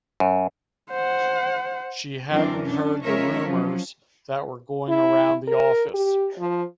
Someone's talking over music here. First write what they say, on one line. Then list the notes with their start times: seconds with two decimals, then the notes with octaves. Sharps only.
She hadn’t heard the rumours that were going around the office.
0.20 F#2
0.90 C5 F#5
2.31 F#2 E3 C4 D4 A#4
2.62 C#4 D4
3.03 F3 G#3 C#4 A#4 C#5 E5
3.44 F3 F#3 C#4
4.89 E4
5.47 A#4
5.94 G4
6.38 F3